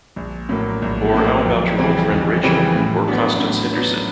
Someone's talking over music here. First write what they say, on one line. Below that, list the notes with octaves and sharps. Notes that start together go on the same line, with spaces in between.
Or how about your old friend Rachael — or Constance Henderson?
A#1
A2 F#3 A#3
A#1
A2 F#3 A#3
F2
C#3 E3 G3 C4
F2
C#3 E3 G3 C4
A2
F#3 B3 D4
A2
F#3 B3 D4